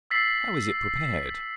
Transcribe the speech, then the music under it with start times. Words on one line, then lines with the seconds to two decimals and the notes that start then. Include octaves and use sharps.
How is it prepared?
0.11 E6 A6 B6 C7 F#7